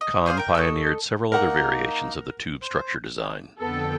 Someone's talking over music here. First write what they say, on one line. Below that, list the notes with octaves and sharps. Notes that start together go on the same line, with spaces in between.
Khan pioneered several other variations of the tube structure design.
D#5
G#4 C5 D5 F5
A#4 G5
A4 D#5 E5 C#6
A#3 D#4 A#4 F#5
C5
F2 D3 B3 A4 G5